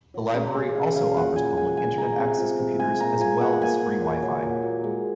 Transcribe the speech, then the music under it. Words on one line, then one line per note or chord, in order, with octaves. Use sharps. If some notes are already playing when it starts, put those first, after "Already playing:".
The library also offers public Internet access computers as well as free wifi.
F#3
C#3 A#5
A#5
C#3 G#5
F#3 F5
F#3 F5
A#2 F#5
A#2 G#5
G#3 G#5
G#3 G#5
G#3 A#5
C3
F3
C3
G#3 G#5
A#2 A#5
F3 G#5
A#2 F#5
F#5
A#2 G#5
A#2
F#3
F#3
A#2
A#2
G#3